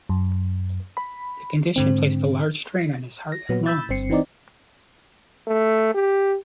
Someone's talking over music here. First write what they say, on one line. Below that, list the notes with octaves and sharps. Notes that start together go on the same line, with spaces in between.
The condition placed a large strain on his heart and lungs.
F#2
B5
G#2 D3 C4
A#6
A#2 F#3 B3
B5 E6 G6 A6
G1 G2 C4 C7 C#7
E3 C4 D#4 D5
A3
G4